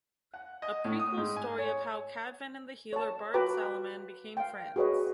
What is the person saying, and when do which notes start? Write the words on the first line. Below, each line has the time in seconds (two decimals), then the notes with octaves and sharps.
A prequel story of how Cadvan and the healer Bard Saliman became friends.
0.34 F#5
0.62 D#5
0.84 A2
0.99 D#6
1.17 G#2
1.36 G#5
1.58 C#5
2.93 C#5 A5
3.34 F4 F#4 B4 G5 A#5 D6
4.37 F5 G5
4.76 F#4 G#4 B4 C#5 D#5